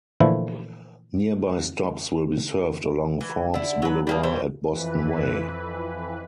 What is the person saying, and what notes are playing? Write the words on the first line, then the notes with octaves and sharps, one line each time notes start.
Nearby stops will be served along Forbes Boulevard at Boston Way.
A#2 D3 E3 F3 A3 E4
E3
D3 E4
F#3 B4
G3 A#3 G#4
E3 G3 C#4 C5
F2 E3 B4